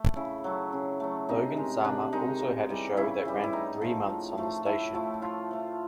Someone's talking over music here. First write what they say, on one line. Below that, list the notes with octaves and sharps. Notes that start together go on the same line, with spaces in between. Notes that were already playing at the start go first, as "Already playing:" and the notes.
Logan Sama also had a show that ran for three months on the station.
Already playing: A3
C#3 E4
F#3 A3
C#3
F#3 A3
C3 D#4
D#3 G#3
C3 D4
D#3 G#3 D#4
C#3
E3 G3
C#3 E4
E3 G3
E4
A2 D#4
F3 A3
A2
F3 A3
A2 E4
F3 A3
A2 F4
F3 A3